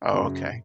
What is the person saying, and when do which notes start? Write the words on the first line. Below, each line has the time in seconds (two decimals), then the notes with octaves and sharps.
Oh, okay.
0.13 F#2 C#3 F#3